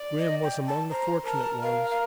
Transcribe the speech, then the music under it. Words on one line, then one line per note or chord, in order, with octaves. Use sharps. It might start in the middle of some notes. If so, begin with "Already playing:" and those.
Grim was among the fortunate ones.
Already playing: D5
D#5
G5
A5
C5 A#5
A#4 A5
A#4 F5
F5